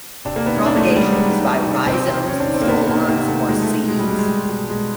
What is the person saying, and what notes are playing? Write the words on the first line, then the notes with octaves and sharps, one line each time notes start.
Propagation is by rhizomes, stolons, or seeds.
C3 D4
A#3
D#3 B3
C#4
D#3 D4
A3
D#3 G#3
G3
D#3 G#3
D#3
D#3
C3
C3 C4
D#3 C4
D#3 C#4
D4
D#3
C4
A#3
C3 B3
D#3 A#3
C3 A#3
D#3 A3
B2 G#3
A3
B2
B2 G#3
G3
B2 G#3
G#3
B2
B2
B2 G#3